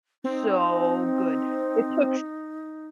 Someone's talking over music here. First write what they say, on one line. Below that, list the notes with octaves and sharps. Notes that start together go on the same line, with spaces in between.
so good. It took
C4 D#4